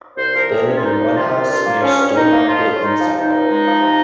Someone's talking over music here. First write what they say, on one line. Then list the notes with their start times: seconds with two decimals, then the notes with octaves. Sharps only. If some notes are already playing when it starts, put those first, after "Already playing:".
They live in Onehouse near Stowmarket in Suffolk.
0.17 C2 C5
0.33 F3 A#4
0.50 C3 G#4
0.66 C2 C#4
0.76 F4
0.83 C2 D#4
0.99 F3
1.16 C3 F4
1.33 C2
1.49 G2 F4
1.66 A#3
1.82 F3 C#4
1.99 G2
2.05 C#4
2.15 G2 D#4
2.32 A#3
2.48 F3 F4
2.65 G2
2.73 C#4
2.81 G#3 D#4
2.98 F3
3.14 C3 D#4
3.31 C#2
3.47 G#3
3.64 F3
3.81 C3